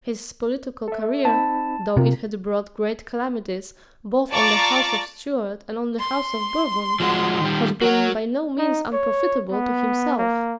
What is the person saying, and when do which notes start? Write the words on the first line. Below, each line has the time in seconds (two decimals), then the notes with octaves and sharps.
His political career, though it had brought great calamities both on the House of Stuart and on the House of Bourbon, had been by no means unprofitable to himself.
0.88 A4 E5
1.25 C4 D#4 A5 B5
1.97 C3 F4 A#4
4.31 F4 D5 A5 A#5 C#6 D6
6.00 C6
7.00 F3 G#3 F#4
7.40 D#3 G3
7.82 F#4 A#4 C#5 F#5
8.58 D#4
8.93 C#5
9.51 B3
10.18 A#3